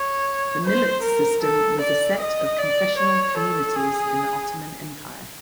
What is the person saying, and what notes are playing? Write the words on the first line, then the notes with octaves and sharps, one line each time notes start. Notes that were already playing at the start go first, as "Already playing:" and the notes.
The Millet system was a set of confessional communities in the Ottoman Empire.
Already playing: C#5
C5
A#4
A4
D5
D#5
D5
C#5
A4
G#4